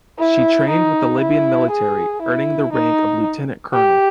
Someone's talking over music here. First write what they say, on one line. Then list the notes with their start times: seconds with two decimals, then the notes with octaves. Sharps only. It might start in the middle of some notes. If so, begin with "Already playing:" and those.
She trained with the Libyan military, earning the rank of lieutenant colonel.
0.18 E4
0.69 D#4
1.20 E4
1.70 G#4
2.22 E4
2.72 D#4
3.74 G4